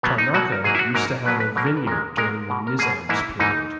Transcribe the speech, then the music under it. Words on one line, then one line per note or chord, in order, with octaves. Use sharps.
Tarnaka used to have a vineyard during the Nizams period.
B2 F#3 A#3 B3
D#4
B2 F#3 A#3 F#4
A#4
G#2 F#3 A#3 G#4
E4
F#4
G#2 F#3 A#3 A#4
B2 F#3 A#3 B4
B4
B2 F#3 A#3 A#4
A#4
B4
A#2 G#3 A#4
A#2 G#3 A#4
B2 A#3
A#4
B2 A#3 G#4
G#2 E3 A#3 E4
G#2 E3 A#3 D#4